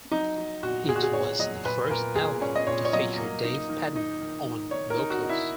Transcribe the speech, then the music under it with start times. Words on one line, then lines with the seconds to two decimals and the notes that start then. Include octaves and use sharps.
It was the first album to feature Dave Padden on vocals.
0.11 F#3 D#4
0.37 F#3
0.62 A#2 F#4
0.88 A#2 G#4
0.96 F#4
1.03 G#4
1.13 A#2 C#5
1.39 F#3 D#5
1.64 A#2 B4
1.90 A#2 A#4
2.15 A#2 G#4
2.41 C#4 C#5
2.56 D#5
2.67 A#2 C#5
2.85 C#5
2.93 F#3 D#5
3.18 A#3
3.44 D#4
3.69 D#3
3.95 D#4
4.20 D#3
4.46 D#3
4.71 D#3 C#5
4.90 A#4
4.97 D#4
5.10 F#4
5.23 D#4
5.29 E4